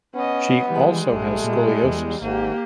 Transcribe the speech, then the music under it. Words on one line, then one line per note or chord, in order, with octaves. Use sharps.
She also has scoliosis.
B3 C#4 D#5
E3 G3 G#3
A#1 A3
A#2
E2
G#1 G#2 A#3 G4